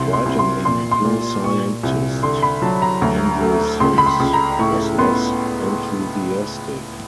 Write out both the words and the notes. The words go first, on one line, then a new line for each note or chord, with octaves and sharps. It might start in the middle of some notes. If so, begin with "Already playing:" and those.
Writing in New Scientist, Andrew Simms was less enthusiastic.
Already playing: C2 C6
C6
C2
C6
A#2 C6
C6
A#2
A#2 C#6
C2
D3 C6
B5
F#3 A5
A#5
D2
A3
C#2 C6
B5
C6
C#2
A#5
A2 C#6
B3 C6